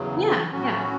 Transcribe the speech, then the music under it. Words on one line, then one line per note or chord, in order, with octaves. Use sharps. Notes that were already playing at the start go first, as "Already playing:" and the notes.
Yeah, yeah.
Already playing: E2 C#3 F#3
A2 F#3 C#4 F#4